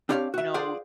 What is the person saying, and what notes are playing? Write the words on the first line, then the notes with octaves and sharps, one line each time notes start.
you know,
C4 D4 G4 C#5 F5
F#4 E5
F4 G#4 C5 D5 F5 F#5